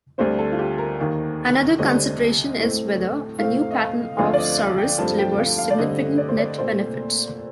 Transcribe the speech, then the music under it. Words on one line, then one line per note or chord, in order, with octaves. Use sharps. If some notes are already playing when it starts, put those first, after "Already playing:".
Another consideration is whether a new pattern of service delivers significant net benefits.
D2 D3 G3 C4 C5
A4
F4
G4
A#4
D#2 D#3 A#3
D2 D3 G3 C4 D#5
A2 A3 C4
A2 A3 C4 F5
D#5
F5
D2 D3 F3 A3 C4 F5
D5
D#5
F5
G5
G2 F3 A3 C4 A5
G5
F5
F5
D5
G2 D3 A3 C4 D#5
D5
C5
D5
A#2 A3 C4 C5